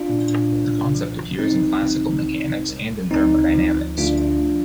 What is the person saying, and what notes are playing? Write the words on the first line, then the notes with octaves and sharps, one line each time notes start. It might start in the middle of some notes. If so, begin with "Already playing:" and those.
The concept appears in classical mechanics and in thermodynamics.
Already playing: D4 F4
A#2
C2
F3
C2 C4 D#4
C3
C2
C2
D2 C4 D#4
F3
D2 D4 F4